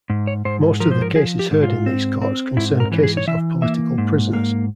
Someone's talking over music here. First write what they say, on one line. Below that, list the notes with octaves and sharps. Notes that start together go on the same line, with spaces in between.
Most of the cases heard in these courts concern cases of political prisoners.
G#2
C#5
G#2 C5
F3 A#4
C5
A#4
F3 G#4
G4
G#2
F4
C4
C4
G#2 E4
A#4
E3
G#4
C#5
E3 E5
A#3 E5
G#2
A#3